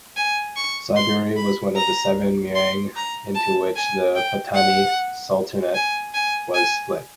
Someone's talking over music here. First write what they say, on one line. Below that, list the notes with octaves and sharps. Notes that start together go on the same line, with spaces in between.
Saiburi was one of the seven "Mueang" into which the Pattani sultanate was split.
G#5
C#6
C6
B5
A#5
C6
A#5
A5
G#5
G5
F#5
G#5
G#5
G#5